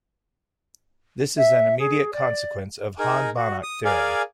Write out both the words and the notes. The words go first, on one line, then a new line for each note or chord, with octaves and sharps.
This is an immediate consequence of Hahn-Banach theorem.
E5
G#4
D5
D#4 G#4 A#4
F#4
D#6
G#4 A#4 D5 F5 G#5